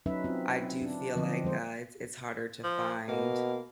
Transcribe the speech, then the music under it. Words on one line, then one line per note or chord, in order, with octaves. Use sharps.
I do feel like, uh, it's it's harder to find,
F#3 C#4 D#4 B4 E5
C4 F4
D4
D3 F3 C4 D#5
F3 G#3 C5
F3
B2 A#3